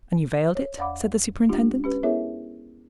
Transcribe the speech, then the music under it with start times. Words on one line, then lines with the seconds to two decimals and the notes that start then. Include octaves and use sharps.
"And you veiled it?" said the superintendent.
0.55 C#5
0.78 E2 D5 F5 F#5 B5 D6
1.49 G#3 D4 F4 G4
1.84 C#4 G4 B4
2.03 B3 E4 G#4 A#4 C#5 E5